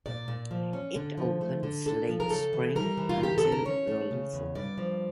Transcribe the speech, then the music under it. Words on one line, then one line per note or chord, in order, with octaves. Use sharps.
It opens late spring until early fall.
A#2 D5
A#2
F3
C#4
D3
F3
A3
D3
D4 A4
F3
A#4
C#3 A4
E3
G3 A#4
E3
F4
D3 G4
A4
D3
A#4
C#4 C#5
A3
C#3
E2
G2 D5
F3